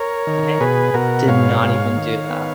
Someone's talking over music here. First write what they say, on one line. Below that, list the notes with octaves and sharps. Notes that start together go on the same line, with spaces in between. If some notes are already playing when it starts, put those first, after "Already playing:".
I did not even do that.
Already playing: A#4 C#5
D#3
B2 G#4 B4
B2 F#4 A#4
G#2 C#5 F5
G#2
D#3
B3